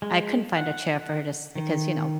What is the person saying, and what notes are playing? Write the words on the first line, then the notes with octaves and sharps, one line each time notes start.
I couldn't find a chair for her to si because, you know,
G#3
F#5
D#3